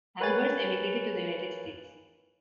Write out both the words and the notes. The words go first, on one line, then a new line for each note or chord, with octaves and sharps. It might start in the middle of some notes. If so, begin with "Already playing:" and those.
Albers emigrated to the United States.
A#4 B4 C#5 F5 G#5 A6